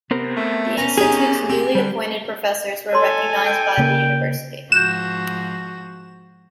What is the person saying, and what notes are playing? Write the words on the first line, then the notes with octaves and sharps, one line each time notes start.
The Institute's newly appointed professors were recognised by the university.
C3 B3 C4 A#4
A3
C#4 A#5
D#4 G4 G#4
C4 G4
D3 G3
A4 C#5 G#5 A5 C6
G5
C#3 A#3
G#2 F3 F#4 F#6 G6 E7